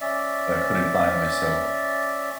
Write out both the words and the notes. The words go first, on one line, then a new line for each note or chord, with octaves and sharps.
uh, couldn't find myself
C#4 D5 E5